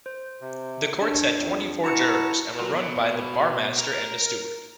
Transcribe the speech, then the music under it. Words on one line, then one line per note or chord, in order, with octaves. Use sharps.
The courts had twenty-four jurors, and were run by the Barmaster and a steward.
C5
C3
D4 C#5
F2
E4 F#4 A5 A#5 C#7
F#3
B2
A#4